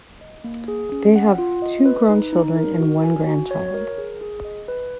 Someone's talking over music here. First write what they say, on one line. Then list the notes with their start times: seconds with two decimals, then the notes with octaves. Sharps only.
They have two grown children and one grandchild.
0.21 D#5
0.44 A#3
0.68 G#4
0.92 C#4
1.15 F#5
1.38 F4
1.62 D#5
1.85 B4
2.09 D#4
2.33 D#4
2.57 A#4
2.80 F#4
3.03 G#5
3.27 F#4
3.51 C#5
3.74 A#4
3.98 G#4
4.21 G#4
4.45 D#5
4.68 B4